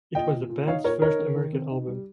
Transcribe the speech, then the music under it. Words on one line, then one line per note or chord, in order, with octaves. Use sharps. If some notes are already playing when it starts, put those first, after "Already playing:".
It was the band's first American album.
A#2 D#5 G5
A#2
A#2
D#4 C#5 F5
A#2 A#4 C#5
D#4 A#4 C#5
D#3
D#3
C4
D#4
G3